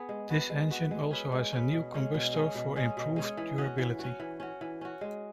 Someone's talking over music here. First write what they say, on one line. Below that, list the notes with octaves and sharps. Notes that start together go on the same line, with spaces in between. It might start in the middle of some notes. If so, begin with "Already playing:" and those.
This engine also had a new combustor for improved durability.
Already playing: B3 G#4
G#3
B3 F#4 B4
G#3
B3 F#4 B4
G#3
C#4 G#4 B4
G#3
C#4 G#4 B4
B2
G#3 C#4
B2
G#3 C#4
B2
G#3 C#4 G#4
B2
G#3 C#4 G#4
E3
C#4 F#4
E3
C#4 F#4
E3
C#4 F#4
E3
C#4 F#4
G#3